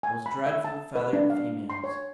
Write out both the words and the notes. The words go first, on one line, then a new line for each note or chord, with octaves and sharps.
Those dreadful feathered females!
G#5
B5
E5
A5
B4
D4
F5
C6
C#5